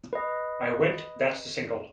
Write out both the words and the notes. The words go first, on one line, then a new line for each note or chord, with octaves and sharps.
I went, That's the single!
B4 D#5